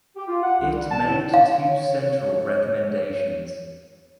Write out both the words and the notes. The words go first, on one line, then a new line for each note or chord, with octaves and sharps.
It made two central recommendations.
G4
F4
F#5
C2
G3
A5
A2
C#5 F5